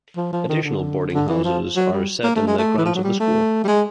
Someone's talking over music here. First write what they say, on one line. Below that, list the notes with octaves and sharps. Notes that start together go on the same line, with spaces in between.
Additional boarding houses are set in the grounds of the school.
F3
F3
D#3
D3
D3
E3
F3
F#3
G3
A#3
A3
G#3
A3
E3
F3
F#3
G3
A3
G3
G#3